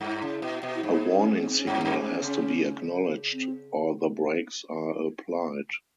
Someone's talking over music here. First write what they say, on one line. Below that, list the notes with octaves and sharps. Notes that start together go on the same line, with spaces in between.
A warning signal has to be acknowledged or the brakes are applied.
G2 E4
C#3
B2
B2
E4
G#2 D#4
C#4
C#4
C4
C#4
G2
G2
G#2
C#3
C4